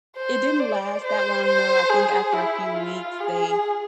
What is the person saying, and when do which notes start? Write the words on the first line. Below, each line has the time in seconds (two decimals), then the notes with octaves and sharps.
It didn't last that long, though, I think after a few weeks, they
0.17 C5
0.60 D5
1.04 C5
1.46 C5
1.90 G#4
2.34 E4
2.76 F4
3.21 G#4